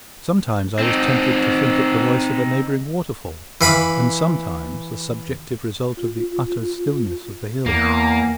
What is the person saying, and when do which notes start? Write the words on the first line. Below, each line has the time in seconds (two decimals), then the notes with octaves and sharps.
Sometimes I was tempted to think it the voice of a neighbouring waterfall, and sometimes a subjective result of the utter stillness of the hill.
0.79 C4 D#4
3.61 E3 F5 B5 D6
5.97 F4
7.66 E2 A#3